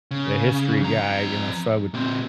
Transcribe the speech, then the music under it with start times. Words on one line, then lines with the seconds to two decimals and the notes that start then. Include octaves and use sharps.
a history guy, you know, so I would
0.11 C#3
0.81 F2 A#5
1.94 A#2 C4